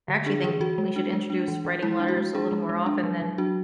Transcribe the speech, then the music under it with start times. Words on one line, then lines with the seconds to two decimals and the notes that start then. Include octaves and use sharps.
I actually think we should introduce writing letters a little more often than
0.08 D3
0.26 D4 G#4
0.44 E3 G#4
0.60 E3 F#4
0.78 G#3
0.96 D4
1.13 G#3
1.30 D4
1.48 E3
1.65 E3
1.82 G#3 E4
2.00 D4
2.08 F#4
2.17 G#3
2.35 D4 G#4
2.52 G#3
2.69 G#3
2.86 D4
3.04 F#3
3.22 F#3
3.38 D4 F#4